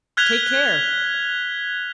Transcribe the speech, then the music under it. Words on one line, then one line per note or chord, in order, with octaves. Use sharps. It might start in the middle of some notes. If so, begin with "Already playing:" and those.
Take care!
F6 F#6 G#6 B6 F7 G7